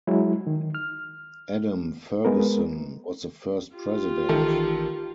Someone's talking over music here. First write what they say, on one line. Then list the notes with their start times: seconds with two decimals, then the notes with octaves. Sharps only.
Adam Fergusson was the first president.
0.07 F#3 G#3 E4
0.47 D#3
0.75 F6
2.25 G#3 B3 A#4
3.75 F4 G4
4.29 A1 D#3 A4